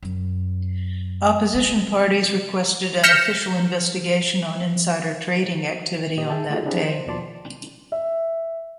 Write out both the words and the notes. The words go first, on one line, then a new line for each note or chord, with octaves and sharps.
Opposition parties requested an official investigation on insider trading activity on that day.
F#2
C3
F6 G6 A#6 B6 C#7 E7
A#2 G4 D#5
G#4 E5 G5 A5
A3 D#4 F4 F#4 G#4 A4
C4 D4 E4 G4 G#4
C5
D#2 B2 F3 D5 A5 C6
E5